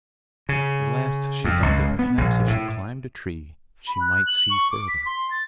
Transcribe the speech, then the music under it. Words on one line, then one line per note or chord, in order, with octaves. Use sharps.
At last she thought that perhaps if she climbed a tree she might see further.
C#3
F2
C#2
B3
A#1
A2
B5
F#6
F#7
C#6
D6
B6
C6
A6